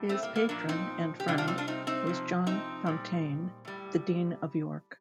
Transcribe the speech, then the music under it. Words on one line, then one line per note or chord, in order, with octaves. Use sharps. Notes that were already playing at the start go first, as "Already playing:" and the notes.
His patron and friend was John Fountayne, the Dean of York.
Already playing: A2 G3
A3 C4
A#3
A#3
A#2 F3 A#3 D4
C4 D#4
G4
C3 G3 D4 F4
D4 F4
C4 D#4
D4 F4
C4 D#4
C4 D#4
C3 F3
C4 D#4
A#2 G3
A2 G3